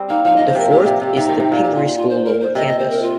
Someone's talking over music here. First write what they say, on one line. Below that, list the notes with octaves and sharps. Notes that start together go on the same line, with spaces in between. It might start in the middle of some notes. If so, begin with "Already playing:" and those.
The fourth is The Pingry School Lower Campus.
Already playing: G3 C4
A#3 D#4
F3 D#4
F3 D#5
C5
C3 A#4
A#2 G4
C3
C3
C3 D#4
D#3
C3
A#2
G4
F4
D#4
F4
C5
A#4
C5
C3 D#5
D#5
C5
A#4
F4